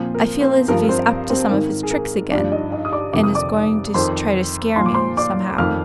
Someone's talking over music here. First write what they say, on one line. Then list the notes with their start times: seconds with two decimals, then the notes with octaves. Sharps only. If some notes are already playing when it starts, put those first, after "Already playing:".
"I feel as if he is up to some of his tricks again, and is going to try to scare me, somehow."
Already playing: A#2 F3 C4 C5
0.14 A#4
0.41 C4 C5
0.68 G2 F3 A#4
0.89 C4 C5
1.30 C4 C5
1.50 G#2 D#3 A#4
1.83 G#4
1.91 A#4
2.31 G2 F3 D4 D5
2.52 D#4 D#5
2.72 D#4 D#5
2.85 D#6
2.92 D5 D6
3.13 F2 C3 D#3 D6
3.23 D#6
3.35 D5 D6
3.94 F2 D#3 C5 C6
4.76 A#2 F3 C6
4.86 D6
4.94 C5 C6
5.17 D5 D6
5.58 F2 D#3 F5 F6